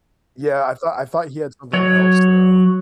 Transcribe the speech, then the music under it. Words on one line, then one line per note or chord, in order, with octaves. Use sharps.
Yeah, I thought I thought he had something else though.
F#3 C#5